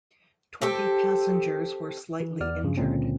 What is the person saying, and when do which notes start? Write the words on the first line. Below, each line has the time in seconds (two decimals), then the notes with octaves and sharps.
Twenty passengers were slightly injured.
0.62 C4 G4 A4
2.20 E3
2.40 E2 B3 D5 F6
2.63 G2 C#3
2.77 C#2 A#2 D3 C4 C#4